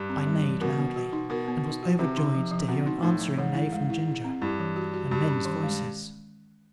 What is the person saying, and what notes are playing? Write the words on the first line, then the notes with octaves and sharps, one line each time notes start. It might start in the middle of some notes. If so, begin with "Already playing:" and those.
I neighed loudly, and was overjoyed to hear an answering neigh from Ginger, and men's voices.
Already playing: G2
C4
G3
E3
B2 A#4
B3
F#4
D#4
B2 A#4
B3
D#4
F#4
C3 C4
D#4
F3
F3
B2 C4
D#4
A2 D#4
F3
G#2 E3
E4
G#3
E4
E4
C4
G2 E4
E3
F#4
F#4
G2 F#4
C#4
D#3
G#3